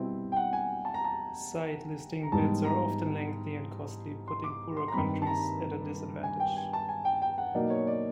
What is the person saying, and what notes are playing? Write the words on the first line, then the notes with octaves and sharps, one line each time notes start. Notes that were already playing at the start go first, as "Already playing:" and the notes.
Site listing bids are often lengthy and costly putting poorer countries at a disadvantage.
Already playing: B2 G3 C4 E4
G5
F#5
G#5
A5
A#5
A5
A#5
G#2 E3 G3 B3 A5
A#5
C6
D6
C6
A#5
G2 D#3 G3 C4 B5
A5
A#5
G#5
G5
G#5
A5
G#5
G5
G5
F#5
B2 F#3 A#3 D#4 D5
C#5
D5